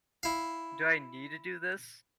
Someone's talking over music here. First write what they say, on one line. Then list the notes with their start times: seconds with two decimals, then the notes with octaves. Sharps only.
do I need to do this?
0.23 E4 F5